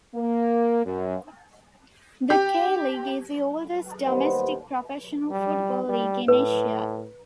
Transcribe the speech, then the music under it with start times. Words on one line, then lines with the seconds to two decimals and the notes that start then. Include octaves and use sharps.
The K-League is the oldest domestic professional football league in Asia.
0.15 A#3
0.86 F#2
2.30 G4
4.05 D#2 G3 B3 C5
5.31 G3
5.89 G3
6.28 A2 B4